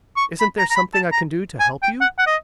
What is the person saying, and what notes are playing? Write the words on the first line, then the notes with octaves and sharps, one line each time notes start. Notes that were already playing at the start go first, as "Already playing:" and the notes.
"Isn't there something I can do to help you?"
C#6
B5
A#5
A#5
B5
A5
A#5
G#5
G5
F#5
F#5
D#5